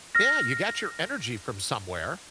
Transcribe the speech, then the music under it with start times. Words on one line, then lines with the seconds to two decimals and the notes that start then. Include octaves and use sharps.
Yeah, you got your energy from somewhere.
0.15 F6 A#6